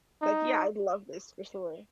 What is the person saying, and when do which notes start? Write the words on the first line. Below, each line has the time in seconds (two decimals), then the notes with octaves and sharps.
Like, yeah, I'd love this for sure.
0.22 D#4